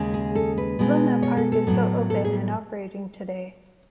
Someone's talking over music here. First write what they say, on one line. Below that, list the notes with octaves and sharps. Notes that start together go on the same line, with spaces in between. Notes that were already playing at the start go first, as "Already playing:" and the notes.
Luna Park is still open and operating today.
Already playing: D#2 C#3 G#3
G#4
A4
B4
B2 G#3 B3
C#5
A4
A4
A2 F#3 B3
A4
G#4